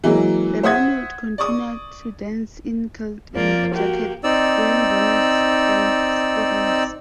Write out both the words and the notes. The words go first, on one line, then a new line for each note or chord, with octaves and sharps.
The men would continue to dance in kilt and jacket, wearing bonnets and sporrans.
E3 F#3 G#3 A#3
C5 E5 F#5 D#6 G#6
D5 C#6 D#6
F2 F3 A#3 D5
A#3 F#4 G4
C4 D#4 D5 E6